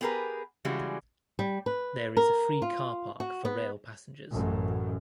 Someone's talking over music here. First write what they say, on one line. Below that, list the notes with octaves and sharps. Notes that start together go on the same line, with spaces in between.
There is a free car park for rail passengers.
B3 G4 G#4 A#4 B4
C#3 E3 G3 G#3 F#4
G3
B4
A#4
F4
F#4
B3
A1 F#2